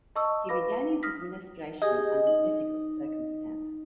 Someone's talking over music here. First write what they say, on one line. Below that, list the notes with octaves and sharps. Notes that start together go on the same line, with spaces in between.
He began his administration under difficult circumstances.
D#5 A5 C#6 D#6 E6
B4 F5 B5 D6 A#6
D#6 F6 A#6 B6
G4 G#4 D#5 G#5
D#4